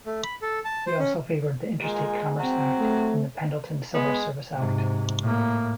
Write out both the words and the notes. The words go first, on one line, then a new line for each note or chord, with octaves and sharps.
He also favored the Interstate Commerce Act and the Pendleton Civil Service Act.
A3
B5
A4
A5
C5
C#4
A#2 G#3
F#3 C4
A3
G#3 B3
G#2 C3
A2 A#3